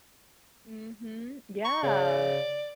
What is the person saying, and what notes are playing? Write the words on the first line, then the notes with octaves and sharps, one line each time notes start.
Mhm, yeah.
C#6
C#3 D5